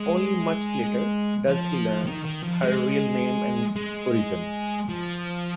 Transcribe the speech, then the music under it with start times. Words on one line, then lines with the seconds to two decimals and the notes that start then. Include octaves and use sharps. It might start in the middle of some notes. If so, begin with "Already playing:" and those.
Only much later does he learn her real name and origin.
Already playing: G#3
1.48 F3
2.05 D#3
2.25 D#3
2.43 F3
2.62 G#3
3.76 G#3
4.89 F3